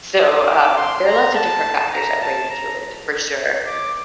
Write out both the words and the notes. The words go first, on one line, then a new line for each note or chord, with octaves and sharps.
So, um, there are lots of different factors that weigh into it for sure.
D#6
D6
C6
A#5
A5
A#5
A5
A#5
D6